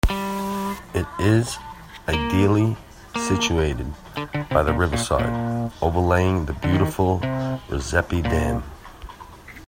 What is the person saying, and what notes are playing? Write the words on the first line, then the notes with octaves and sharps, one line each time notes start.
It is ideally situated by the riverside overlying the beautiful Rusape Dam.
G3
A#3
A#3
D3
D3
C3
A#2
A#2
A#2
D3
D#3
C3
A#2